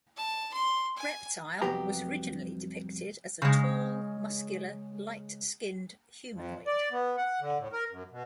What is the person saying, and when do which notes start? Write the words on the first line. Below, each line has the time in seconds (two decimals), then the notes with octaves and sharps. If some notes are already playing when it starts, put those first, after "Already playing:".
Reptile was originally depicted as a tall, muscular, light-skinned humanoid.
0.16 A5
0.53 C6
0.97 G#5
1.62 C2 F2 F#3 B3 G4 A#5
3.42 C#3 G#3
6.33 F2
6.67 D5
6.92 B3
7.18 F#5
7.40 D3
7.58 A2
7.73 A#4
7.90 F#2
8.11 B2